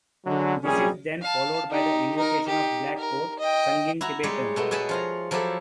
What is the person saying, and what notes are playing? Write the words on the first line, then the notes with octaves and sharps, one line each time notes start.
This is then followed by the "Invocation of Black Coat", sung in Tibetan.
D3 F#3 G#3
A#1 C3 G3 C#4 G#4
F5 A5
D#4 G4
D#4 A#4
D#4 G4
A#4
D#5 G5
E4 F#4 A#5
G3 G#3 D#4 G4 G#4 C#5
B2 A3 B3
B2 G#4 C#5 A5 B5
F3 F4 A#5
F3 F#3 E4 G4 A4